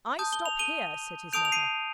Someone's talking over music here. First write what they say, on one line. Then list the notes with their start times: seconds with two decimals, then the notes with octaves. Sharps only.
'I stop here!' said his mother.
0.19 A5 D#6 G6
0.33 G7
0.46 F7
0.59 D#7 G7
1.33 A5 D#6 G6 D7 F7
1.45 F7
1.52 C7 D#7